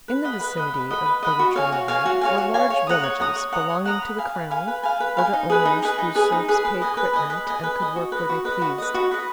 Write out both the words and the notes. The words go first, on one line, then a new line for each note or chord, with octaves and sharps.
In the vicinity of Bogucharovo were large villages belonging to the crown or to owners whose serfs paid quitrent and could work where they pleased.
B4
D#5 F#5 B5
B4
D#5 F#5 B5
B4
D#5 F#5 B5
B4
D#5 F#5 B5
F#4
C#5 F5 G#5
F#4
C#5 F5 G#5
F#4
C#5 F5 G#5
F#4
C#5 F5 G#5
C#5
F#5 A#5 D#6
C#5
F#5 A#5 D#6
C#5
F#5 A#5 D#6
C#5
F#5 A#5 D#6
B4
F5 G#5
B4
F5 G#5
B4
F5 G#5
B4
F5 G#5
D#4
G#4 B4
D#4
G#4 B4
D#4
G#4 B4
D#4
G#4 B4
B4
D#5 G#5
B4
D#5 G#5
B4
D#5 G#5
B4
D#5 G#5
F#4
B4 D#5
F#4
B4 D#5
F#4
B4 D#5
F#4
B4 D#5